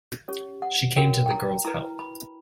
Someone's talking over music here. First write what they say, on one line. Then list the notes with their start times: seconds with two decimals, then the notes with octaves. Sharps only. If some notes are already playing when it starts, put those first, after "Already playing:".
She came to the girl's help.
0.28 C#4 G4 C#5
0.62 F#5
0.96 D4 F#4 A#4 C#5 G5
1.26 G5
1.30 A#5
1.65 E4 B4 A#5
1.99 B5